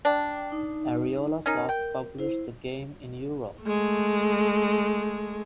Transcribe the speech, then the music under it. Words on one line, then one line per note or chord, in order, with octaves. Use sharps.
Ariolasoft published the game in Europe.
D4 G5
D#4
C#4 D#4 A#4
G5
E4 C5
G#3 A3